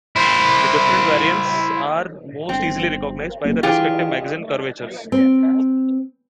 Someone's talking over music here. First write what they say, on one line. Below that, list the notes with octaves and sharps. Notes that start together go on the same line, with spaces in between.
The different variants are most easily recognized by their respective magazine curvatures.
E4 C5
G1 C4
F#1
E3 F4 G4 G#4
C4